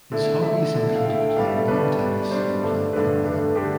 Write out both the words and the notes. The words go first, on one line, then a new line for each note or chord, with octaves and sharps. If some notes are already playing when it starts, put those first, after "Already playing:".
His hobbies included playing lawn tennis and playing football.
D3 A3 E4
D3 A3 E4 E5
D3 A3 E4
F5
D3 A3 E4 G5
G5
B2 G3 D4 F5
E5
A4
B2 G3 D4 B4
B2 G3 D4
D5
B2 G3 D4 C5
G2 D3 A3 D4
G2 D3 A3 D4 B4
G2 D3 A3 D4
D3 A3 D4 G4